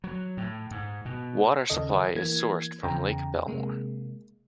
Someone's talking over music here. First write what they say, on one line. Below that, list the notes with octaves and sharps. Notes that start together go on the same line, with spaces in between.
Water supply is sourced from Lake Belmore.
F#3
A2
G#2
B2
D#2 C#3 A4 D#5
E3 A#3 G#6
E2 C#3 G5 A#5
C3 G#3 A#3